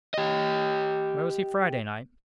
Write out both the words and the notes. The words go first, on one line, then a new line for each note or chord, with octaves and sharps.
Where was he Friday night?
G4 D#5